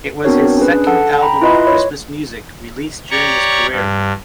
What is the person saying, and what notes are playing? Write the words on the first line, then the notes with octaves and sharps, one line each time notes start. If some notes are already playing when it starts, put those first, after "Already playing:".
It was his second album of Christmas music released during his career.
B3 C4 D4 F#4 A#4 C#5
C#4 D4 G#4 B4
A4 F#5 A5
G5 A#5 B5
E4 F4 B4 D#5 B5 C6
C#5
G4 C#5 D5 A#5 C#6
G2